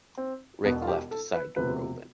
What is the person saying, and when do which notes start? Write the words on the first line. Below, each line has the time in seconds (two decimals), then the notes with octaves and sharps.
Rick left a side door open.
0.17 C4
0.64 E1 E2 B2 B3
0.82 F4
0.88 G4
1.11 A4
1.34 B4
1.56 E1 D2 C3 F3 B4